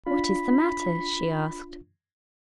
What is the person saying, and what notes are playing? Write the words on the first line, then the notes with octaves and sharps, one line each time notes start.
"What is the matter?" she asked.
D4 F4 B5